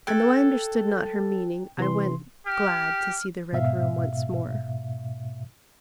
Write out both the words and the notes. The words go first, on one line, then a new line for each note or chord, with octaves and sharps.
And, though I understood not her meaning, I went, glad to see the Red Room once more.
A4 G5 F#6 G#6
C3 E3 C6
G4 F6
G#2 B2 E5 F5